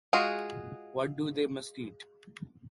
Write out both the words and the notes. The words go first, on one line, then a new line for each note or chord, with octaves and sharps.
What do they must eat?
G#3 F4 F#4 G#4